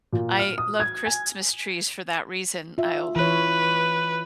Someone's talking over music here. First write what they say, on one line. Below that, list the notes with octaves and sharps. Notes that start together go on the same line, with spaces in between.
I love Christmas trees for that reason, I'll
A#2
F6
D#6
G#6
G#5
F4 E5
E3 B4 C#5